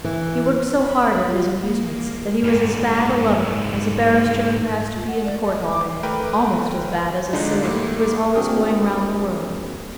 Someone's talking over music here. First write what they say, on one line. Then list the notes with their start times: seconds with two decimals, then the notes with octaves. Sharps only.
He worked so hard at his amusements that he was as bad a lover as a barrister who has to be in Court all day,--almost as bad as a sailor who is always going round the world.
0.04 E3
0.77 B5
1.23 F4
1.59 A#3
2.44 G#2 G3
4.95 F4
5.07 F#5
5.25 D5
5.41 D#5
5.67 D6
6.03 A3 A#4 B4 G5
7.33 D3 G#3 D4 D#4 F4
7.62 G#2 G3 A3 A#3
8.35 A#3 C4 D4 F#4 G#4 A#4